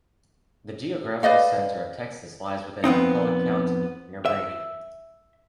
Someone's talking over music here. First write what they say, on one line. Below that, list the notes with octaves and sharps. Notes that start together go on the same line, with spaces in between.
The geographical center of Texas lies within McCulloch County, near Brady.
B4 D5 D#5 F5
F2 B3 C4 D#4
E5